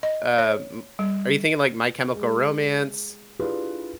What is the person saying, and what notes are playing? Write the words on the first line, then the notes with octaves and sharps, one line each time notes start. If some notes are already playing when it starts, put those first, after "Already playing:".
um, m are you thinking, like, My Chemical Romance,
D#5
C#5
G3
G#3
D4 E4 F4 G4 G#4 B4